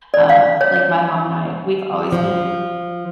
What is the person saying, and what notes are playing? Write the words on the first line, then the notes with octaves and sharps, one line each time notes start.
um, like, my mom and I, we've always been
D5
F5
C#5
F3